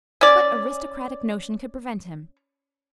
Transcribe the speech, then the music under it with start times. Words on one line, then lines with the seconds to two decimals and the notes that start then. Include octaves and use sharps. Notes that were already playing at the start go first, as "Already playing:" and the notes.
What aristocratic notion could prevent him?
0.21 C#4 D5